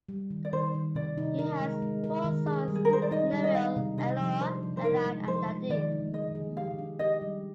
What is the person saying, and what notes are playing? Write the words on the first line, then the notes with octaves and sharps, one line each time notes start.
He has four sons, Nuriel, Elior, Ilan and Nadiv.
G3
D#3
D5
D#3 C5
D#3
C3 D5
D#4
A#4
G#3
G#3
A#4
D#3
G#4
G3
G#4
A#4
D4 C5
D5
D#4 D#5
G3
D#5
D#4 F5
C3
D4 D#5
F3
D4 C5
F3
C5
D#4 A#4
G#3
F3 C5
G#3
D#3 D5
D#4
G#4 D#5
G#4
G4 F5
D4
G4 D#5
G3